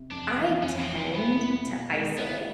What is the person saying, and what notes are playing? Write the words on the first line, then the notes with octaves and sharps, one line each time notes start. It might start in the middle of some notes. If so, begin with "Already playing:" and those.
I tend to isolate
Already playing: C3
F2 D4
E3
F2 C#4
C4
C3
C4
B3 E4
C4
B2
G#3
B3 E4